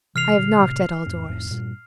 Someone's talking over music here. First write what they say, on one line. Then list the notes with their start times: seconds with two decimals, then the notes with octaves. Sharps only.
"I have knocked at all doors."
0.15 C3 E3 F6 C7 F7
0.38 A#2 D3
0.60 A2 C3
1.06 F2 A2
1.29 F2 A2
1.51 G2 A#2